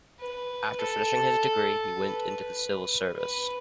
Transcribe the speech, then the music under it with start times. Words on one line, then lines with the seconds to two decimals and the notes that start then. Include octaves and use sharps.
After finishing his Degree, he went into the civil service.
0.20 B4
0.79 A4
1.99 B4
3.19 B4